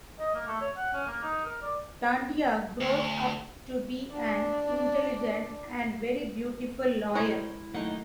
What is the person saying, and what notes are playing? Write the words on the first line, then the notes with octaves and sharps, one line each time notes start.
Tandia grows up to be an intelligent and very beautiful lawyer.
D#5
A#3
A3
C#5
F#5
C#4
A#3
D#4
A#4
D5
D2
D4 D5
C3 G#3 E4 A#4 C5 C#5
D#3 F#3 A3 A#3 D#4 F#5